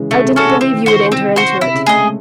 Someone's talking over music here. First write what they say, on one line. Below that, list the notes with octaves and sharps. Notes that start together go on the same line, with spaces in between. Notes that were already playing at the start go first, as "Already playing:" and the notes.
I didn't believe you would enter into it.
Already playing: C#3 E3 G#3
C#3 A3
C3
C#4 F#4 A4
C#3
E3 C4
D#3
D#3 F#4 C5
C#3
C3 C4
F#4 C5
C3 E4
C#3
A3 G#4 D#5
G#3